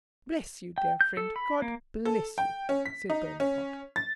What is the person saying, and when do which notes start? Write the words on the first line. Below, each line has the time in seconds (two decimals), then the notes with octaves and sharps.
"Bless you, dear friend, God bless you," said Bonaparte.
0.78 G5
1.01 G6
1.17 A4
1.36 B5
1.62 A#3
2.05 A4
2.38 G5
2.69 C#4
2.85 B6
3.10 D#4
3.40 C#4
3.96 A6